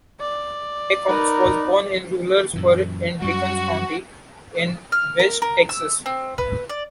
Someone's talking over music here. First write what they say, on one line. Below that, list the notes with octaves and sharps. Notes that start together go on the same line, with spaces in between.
McCombs was born in rural Spur in Dickens County in West Texas.
D5
D#4 A#4 B4
F#2 A#2 E3
F#2 G3 F#4
F6
A#4
A#4
E6
C4
B4
D5